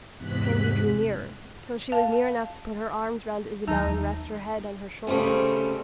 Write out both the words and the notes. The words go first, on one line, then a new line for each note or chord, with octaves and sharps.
Pansy drew nearer, till she was near enough to put her arms round Isabel and rest her head on her shoulder.
E2 G#2 C3 F#6 B6
F5 A5
D#2 F#3 D#4 A5
C#3 G3 A3 C4 C#4